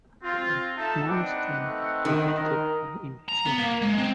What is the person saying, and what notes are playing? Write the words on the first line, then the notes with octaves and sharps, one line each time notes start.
Mumps can be prevented by immunization.
C4 F4
D#4 A4 E5 A5
C4 D4 D#4 B4 F#5
A3
D#3
A#4 D#5
A#5
B3
A#3
G#3
C4